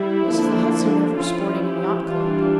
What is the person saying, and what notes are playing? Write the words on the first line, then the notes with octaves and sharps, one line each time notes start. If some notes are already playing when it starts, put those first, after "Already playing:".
"This is the Hudson River Sporting and Yacht Club."
Already playing: G3 E4
D3 F3 A#3 D4
F3 C#4 E4 F4
G4
E3 G3 D4 F4